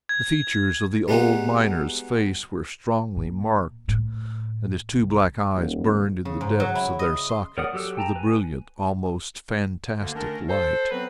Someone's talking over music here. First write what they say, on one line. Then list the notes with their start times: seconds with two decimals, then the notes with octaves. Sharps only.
The features of the old miner's face were strongly marked, and his two black eyes burned in the depths of their sockets with a brilliant, almost fantastic light.
0.09 G#6
1.08 G3 G#3 B3 D#4 F#4
3.17 A#2
3.88 A2
4.93 C2
5.55 D#1
6.25 C#3
6.41 G#2
6.60 F#3
6.75 E4
6.99 D#5
7.29 C6
7.58 A#4 C#5 D5 F#5 D#6
7.73 F#3 G4 A4 E6
7.97 G5 A5 A#5
8.16 B4 G#5
10.00 D2 D3 A#3
10.14 D3 D#3 A3 C#4 D4 A#4
10.49 A4 C5
10.91 F#3 B3 C4 B4